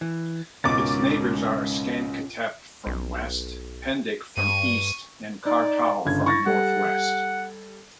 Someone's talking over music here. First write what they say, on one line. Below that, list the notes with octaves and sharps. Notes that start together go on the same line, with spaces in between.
Its neighbours are Sancaktepe from west, Pendik from east and Kartal from northwest.
E3
C#2 G#2 B2 C#4 A#4 C#6 D6 A6
B1
G2 C#6 D#7
D#4 D5
G1 C#3 G#6
E4 C#6 A6 A#6
G3 A4 F#5